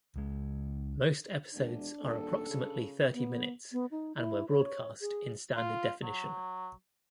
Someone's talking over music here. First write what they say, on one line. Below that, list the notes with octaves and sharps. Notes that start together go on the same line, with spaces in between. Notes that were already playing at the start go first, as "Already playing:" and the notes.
Most episodes are approximately thirty minutes, and were broadcast in standard definition.
C#2 G#3
E1 D4
D#1 A4
C#3
B3
B3
D#4
E4
C#5
G#4
F4
F#3